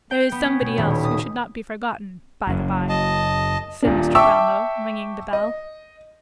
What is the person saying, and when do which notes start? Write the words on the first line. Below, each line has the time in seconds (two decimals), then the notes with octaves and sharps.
'There is somebody else who should not be forgotten, by the bye,' said Mr. Brownlow, ringing the bell.
0.11 G5
0.32 B3
0.45 C#4
0.61 B2
0.78 D#1
0.90 B3
1.04 D#6
2.47 F#1 F#2
2.89 D#5 A5
3.82 D#1 A#2 D4
4.15 E5 G5 A5 C#6 D6 E6
5.33 D#5